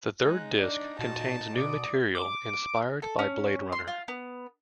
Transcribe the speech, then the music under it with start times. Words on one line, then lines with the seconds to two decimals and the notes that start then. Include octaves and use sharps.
The third disc contains new material inspired by "Blade Runner".
0.22 G#3 D#4 F#6
0.59 D4 D5
0.99 A#2 F#4 A5
1.57 B2 D5 D#6
2.15 D6
3.02 A4
3.19 C#4
3.72 C6
3.88 F4
4.08 B3